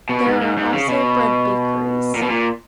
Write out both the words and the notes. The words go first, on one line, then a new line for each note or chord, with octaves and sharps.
There are also bread bakeries.
B2
G#2
G#2
G#2
C#3
B2
A#2
B2
A#2